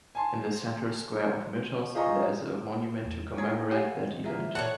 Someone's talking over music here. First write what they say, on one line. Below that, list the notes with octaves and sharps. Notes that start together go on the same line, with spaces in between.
In the central square of Myrtos there is a monument to commemorate that event.
G#5 A5 C6
F4 G#4 C5 D#5 A#5 C#6
E2
D#4 F4 G#4 C#5 G#6
G4 F5 F#5 G#5
F2 G#3
E3 G3 E4 F4 G#4 A#4 E5
A#2 A4 C#5 D5 F#5 A5